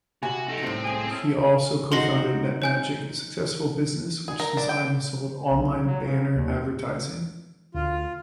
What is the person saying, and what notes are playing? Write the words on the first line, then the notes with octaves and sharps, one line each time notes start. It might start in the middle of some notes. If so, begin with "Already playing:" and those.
He also co-founded Netmagic, a successful business which designed and sold online banner advertising.
C3 F#4 G#5 B5
D#4 A4
C2 A2 C4 C5
G#4
A3 C#4 E4
D#4 F#4 C5 C6 A#6
C#5 G#5 G6
G#4
A#4
D4
G5
B1
F#3
C#3
D#2
D2 F4